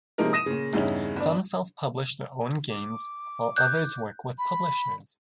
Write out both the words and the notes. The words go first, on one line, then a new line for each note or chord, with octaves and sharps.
Some self-publish their own games while others work with publishers.
C3 F3 G#3 A#3 D#4 A#4
D#6 A#6 D#7 E7
A#2 C#3
E2 G2 C#3 C#4 D#4 E4
G1 D4
D6
F#6 G6
B5